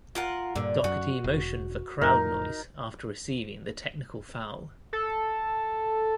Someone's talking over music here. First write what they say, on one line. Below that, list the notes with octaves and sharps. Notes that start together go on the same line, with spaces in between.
Doherty motioned for crowd noise after receiving the technical foul.
F4 A#4 F#5
G2 A#2 D3
F#2 F#4
E1
F2 A2 D#4 A#4
A4